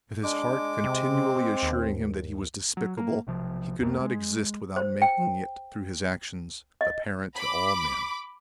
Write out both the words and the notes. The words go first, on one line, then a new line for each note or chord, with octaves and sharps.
With his heart continually assuring him that he was despicable, he could not exist without making it, through his actions, apparent to all men.
G#3 D4 D6
C3 C4
D#2
F#3
A#3
B1 C3 F3
C2 F2 A#3
G#3
C5
G5
D#5
B5 D6